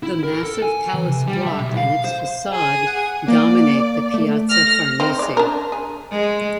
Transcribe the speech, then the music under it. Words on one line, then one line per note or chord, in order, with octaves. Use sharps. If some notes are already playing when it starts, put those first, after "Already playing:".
The massive palace block and its facade dominate the Piazza Farnese.
E4
A#4
A4
G#5
E3
C3
G3
E5
B1
F5
C5
G#4 D#6
F#5
A#3 D5
A3
F6 A#6
D#3 C4
G#3 D5
D4 A#4
G#4
G#3